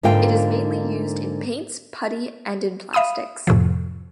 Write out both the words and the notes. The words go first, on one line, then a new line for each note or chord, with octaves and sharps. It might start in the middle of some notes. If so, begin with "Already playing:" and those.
It is mainly used in paints, putty, and in plastics.
G#2 D3 A#3 F4 F5 G5
E5 F5 B5 D#6 D#7
F2 A2 C3 F3